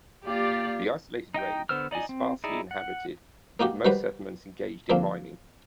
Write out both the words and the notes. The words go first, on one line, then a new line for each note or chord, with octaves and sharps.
The isolated range is sparsely inhabited with most settlements engaged in mining.
A#3 F4 G4 D5
D#4 D#5 G5 G6
D3 B3 C5 E6 F6
D#4 D5 D#5 G#5
C4
D#4 E4 G#4 D5
F#5
A#3 D#4 F#4 G4
D#3 G3 F#4 B4 C5
D3 F3 A#3 C4